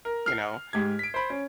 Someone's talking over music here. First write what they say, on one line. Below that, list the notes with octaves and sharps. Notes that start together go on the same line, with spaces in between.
You know?
A#4
F6 C7
G#2 G4 G#6
B6 D7
C5 B5
C#4